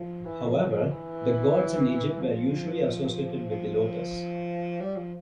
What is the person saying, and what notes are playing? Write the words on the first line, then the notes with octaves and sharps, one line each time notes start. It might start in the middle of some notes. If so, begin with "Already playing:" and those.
However, the gods in Egypt were usually associated with the lotus.
Already playing: F3
E3
F3
F3
E3
F3
F3
G3
F3